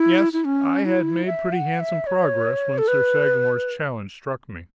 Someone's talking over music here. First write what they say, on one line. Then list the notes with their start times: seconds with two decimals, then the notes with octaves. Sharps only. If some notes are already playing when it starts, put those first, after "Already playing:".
Yes, I had made pretty handsome progress when Sir Sagramor's challenge struck me.
Already playing: E4
0.33 E4
0.45 C#4
0.85 E4
1.26 E5
1.53 F#5
1.80 E5
2.07 C#5
2.78 A4
2.88 B4